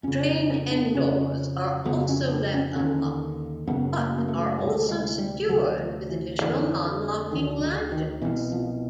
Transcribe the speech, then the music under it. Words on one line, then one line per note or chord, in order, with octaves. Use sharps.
Train end-doors are also left unlocked, but are also secured with additional non-locking latches.
F2 C#3 C#4
C#4
C#4
D4
F2 C#3 C#4
F2 C#3 B3
C#4
D4
C#4
D#2 D3 C#4
F#2 C#3 B3
A#3
A#3
A3
D2 C3 G#3
G#3
G3
D2 C3 F#3
F3
E3
F2 D3 E3
D2 D3 D#3
D3
D#3
C2 B2 E3
F3